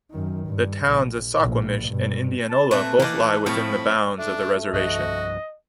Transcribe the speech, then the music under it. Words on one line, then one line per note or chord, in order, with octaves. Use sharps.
The towns of Suquamish and Indianola both lie within the bounds of the reservation.
F#2 D#3
G2
A#1
A#1 A2
G2 B2
A5
A#2 A3 C4 B4 E5 F#6
E3 A3 A#3 D5 D#5 F5
A2 F3 C4 B5 C#6
A3 D4
C2 G2 F3 F#4 D#5